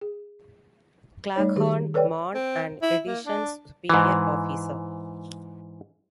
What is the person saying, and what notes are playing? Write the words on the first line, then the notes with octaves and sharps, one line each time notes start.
Claghorn, Mann and Edison's superior officer.
G#4
G3 A3 D#4 C#5
D#3 G4 G#4
A4 B4 C#5 D5 G5
C4
E4
A#3
D4
G#2 E3